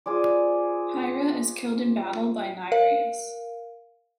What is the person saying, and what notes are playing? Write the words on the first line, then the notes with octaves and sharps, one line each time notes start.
Hiera is killed in battle by Nireus.
F4 G#4 C5 D5
A#4 F5